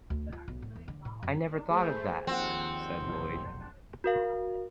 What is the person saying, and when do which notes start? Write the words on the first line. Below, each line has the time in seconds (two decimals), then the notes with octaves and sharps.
"I never thought of that," said Lloyd.
0.10 D2
0.32 F4
0.48 B1
0.62 A2
0.75 E2
0.88 D3
1.05 A2
1.23 F#2
1.70 A3 G#4 C5
2.27 D#2 F3 C4 F#5
3.00 F1 B1
4.04 F#4 A#4 F5